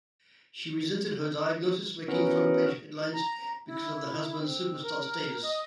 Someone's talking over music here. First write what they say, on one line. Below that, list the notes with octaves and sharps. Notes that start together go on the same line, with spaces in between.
She resented her diagnosis making front page headlines because of the husband's superstar status.
E3 B3 C#4 F#4 A#4
A#5
E4
C4
A#4
D#5